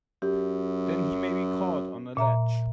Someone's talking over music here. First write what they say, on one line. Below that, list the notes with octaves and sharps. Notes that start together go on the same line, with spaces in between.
Then he may be caught on a ledge!
F#2 G4
A#2 E5 A#5